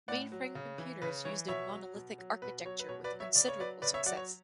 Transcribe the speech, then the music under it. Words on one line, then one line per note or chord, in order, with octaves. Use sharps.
Mainframe computers used a monolithic architecture with considerable success.
A2 D5 F#5
F#3
C#3
E3
C#3 B4
E3 C#5
B2 C#5 E5
F#3
B2
F#3
B2 B4
F#3 C#5
B4
B2 C#5
B4 D5
F#3
C#5 E5
C#3 D5
C#5
F#3 B4 D5
C#3 B4 D5
C#5 E5
F#3 D5 F#5
C#5